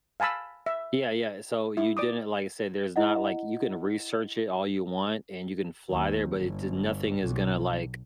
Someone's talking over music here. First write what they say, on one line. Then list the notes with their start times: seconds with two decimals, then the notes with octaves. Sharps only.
Yeah, yeah, so you didn't like I said, there's not like, you can research it all you want and you can fly there, but it d nothing is gonna, like,
0.20 F5 G#5 A5 B5 E6
0.66 E5
1.77 E4
1.97 D5 D6 D#6
2.96 E4 D#5 F#5
5.90 D#2
6.38 G1
7.19 B1